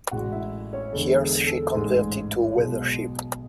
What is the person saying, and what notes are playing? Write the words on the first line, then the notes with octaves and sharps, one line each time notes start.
Here she converted to a weather ship.
A1 A2 G#3 F#4 F#5
E4 E5
C#4 C#5
E2 D3 G#3 A4
G#4
A4
A1 G#2 G#3 G#4
B1 B2 G#3